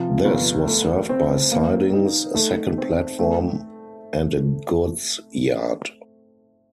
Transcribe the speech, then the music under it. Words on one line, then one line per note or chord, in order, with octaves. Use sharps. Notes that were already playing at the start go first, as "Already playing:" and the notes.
This was served by sidings, a second platform and a goods yard.
Already playing: C3 F3
G1
A3
C4
A#3
D#4
A3
C4
A3